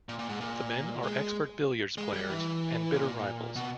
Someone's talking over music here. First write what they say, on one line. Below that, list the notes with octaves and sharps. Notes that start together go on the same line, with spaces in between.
The men are expert billiards players and bitter rivals.
A#2
A#2
G#2
A#2
G#3
G#3
G3
E3
A#2
B2